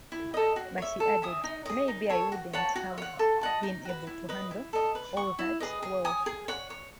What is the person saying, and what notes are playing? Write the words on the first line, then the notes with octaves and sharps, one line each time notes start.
But he added: maybe I wouldn't have been able to handle all that wealth.
E4
A4 D#5
F#4
C#5 E5
A4
E5 G#5 D#6
D#4
G#4 D#5
D#4
A4 C#5
F#4
C#5 F#5 A5
F#4
C#5 F#5
A4
D#5 F#5 A5
D#4
F#4 B4
E4
B4 D#5
E4
A4 D#5
B4
F#5 C#6
E4
G#4 B4 D#5
G#4
C#5 G#5 D#6
G#4
C#5 F#5
C#5